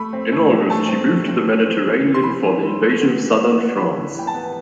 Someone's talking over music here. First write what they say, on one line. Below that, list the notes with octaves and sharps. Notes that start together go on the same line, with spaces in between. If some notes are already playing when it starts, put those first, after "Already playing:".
In August, she moved to the Mediterranean for the invasion of Southern France.
Already playing: A3 B5
C4
A3
E3
A3 A5
C4
A3
C4
E3
C4
E3
E3
C6
E3 B5
E3
E3
A3
B3
E3
B3
B3
E3 B5
E3
E3 G5
A5
B3